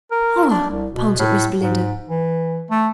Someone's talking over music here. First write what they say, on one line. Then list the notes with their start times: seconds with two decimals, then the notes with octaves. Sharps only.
"Ah!" panted Miss Belinda.
0.11 A#4
0.50 D4
0.70 C2
0.92 B2
1.19 A2
1.62 G#2
2.08 E3
2.71 A3